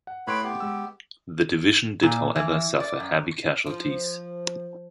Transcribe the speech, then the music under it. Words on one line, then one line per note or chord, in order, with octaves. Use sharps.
The division did however suffer heavy casualties.
F#5
A2 B4 C#5 B5 C6 D7
B3 G4
G#3 E6
A#2
E3
D5
F#2
F3